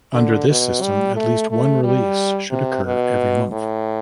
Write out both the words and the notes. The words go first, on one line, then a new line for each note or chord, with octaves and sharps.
Under this system, at least one release should occur every month.
D3
B2
G3
A3
A3
G3
C3
B2
A2